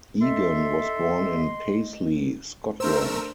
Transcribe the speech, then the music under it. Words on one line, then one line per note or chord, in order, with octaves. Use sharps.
Egan was born in Paisley, Scotland.
A4 D#5 E5 C6
A3 D4 A#4 C5 E6